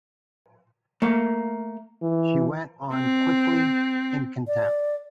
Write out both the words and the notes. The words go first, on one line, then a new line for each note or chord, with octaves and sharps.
She went on quickly, in contempt.
A3 A#3 F5
E3
C4
D5